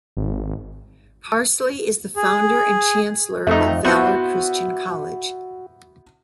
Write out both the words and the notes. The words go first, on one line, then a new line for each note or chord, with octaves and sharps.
Parsley is the founder and chancellor of Valor Christian College.
G#1
G#4
F2 A3 D#4
B3 E4 F#4 C5